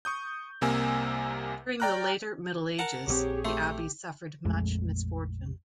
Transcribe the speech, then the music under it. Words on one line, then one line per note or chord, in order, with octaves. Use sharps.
During the later Middle Ages, the abbey suffered much misfortune.
C#6 D#6 G6
C2 C3 A#3 G#5 E6
D5 G5 A#5 F6 F#6
A#4 F#5 A5
A#1 C#3 C4 G4 G#4 C#5
A3 G4 C6
A#1 F2 G#3 A3